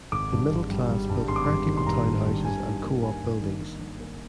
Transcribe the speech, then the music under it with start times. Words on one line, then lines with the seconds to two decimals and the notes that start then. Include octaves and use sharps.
The middle class built practical townhouses and coop buildings.
0.12 G#1 D6
0.32 G2
0.51 G#1
0.70 G3
0.90 G3
1.09 G2
1.28 G#1 C6
1.36 D6
1.44 G2 C6
1.67 D#3
1.77 C6
1.86 G2 A#5
2.06 G2
2.25 G2
2.44 G2 G#5
2.64 D#3
2.83 A#3
3.02 A#3 G#5
3.22 G2
3.41 D#3
3.60 D#3
3.80 D#3
3.99 A#3